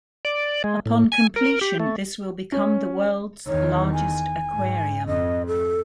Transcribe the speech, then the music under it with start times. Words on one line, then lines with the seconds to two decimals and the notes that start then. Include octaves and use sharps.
Upon completion, this will become the world's largest aquarium.
0.25 D5
0.64 G#3
0.86 A2
1.12 G#5
1.36 A#4
1.61 G4
1.80 A3
2.52 C#4
3.47 E2 D#3 C#5
3.93 G#5
4.53 G#2
5.07 F2 D#5
5.47 A4